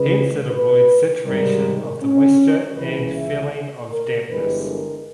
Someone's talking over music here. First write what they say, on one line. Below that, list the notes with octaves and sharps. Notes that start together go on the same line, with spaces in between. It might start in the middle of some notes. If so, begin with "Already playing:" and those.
Hence it avoids saturation of the moisture and feeling of dampness.
Already playing: C#2 C#3 G#3 B4
B4
G#2 D#3 G3 A#4
C#4
C#2 C#3 E3 B4
E5
A#4
G1 G2 E3 G#3 B4
A#4